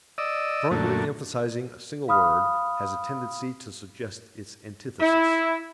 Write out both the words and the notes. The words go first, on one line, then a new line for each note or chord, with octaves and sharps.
Strongly emphasizing a single word has a tendency to suggest its antithesis.
D5 D#5 E6
F#2 A#2 D3 A3
F5 B5 D#6 F6
E4